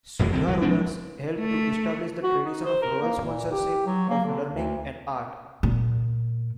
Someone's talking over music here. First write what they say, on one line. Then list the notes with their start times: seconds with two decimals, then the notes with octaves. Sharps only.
Shunga rulers helped to establish the tradition of royal sponsorship of learning and art.
0.19 F1 F2 A2 E3
0.33 B1 D3 D#3 C4
0.47 D#1 C2 E3 F#3
0.61 F3 G#3 C4 D4
1.39 A3
2.23 F#4
2.44 D#4
2.65 C5
2.82 A#4
3.01 A#3
3.24 A#2
3.51 G4
3.86 F#3
4.09 A#3
4.25 D3
4.50 D2
5.63 A#2